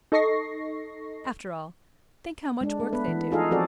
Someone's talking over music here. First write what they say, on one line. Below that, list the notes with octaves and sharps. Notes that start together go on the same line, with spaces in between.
After all, think how much work they do.
D#4 A4 D#5 C#6 A#6 C7
G#3 D4
A3
B3 B4
E3
D#4 F4 G#4 A4 D#5 F5
F3 C4 F#4 G#4 A4 D5